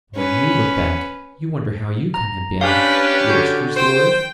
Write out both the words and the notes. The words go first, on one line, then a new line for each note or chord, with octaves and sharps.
'And when you look back, you wonder how you can have been--you'll excuse the word?'
C#4 B4
A#5
C#4 D4 G4 B4 F5
D3 F#4 G6
C5 G5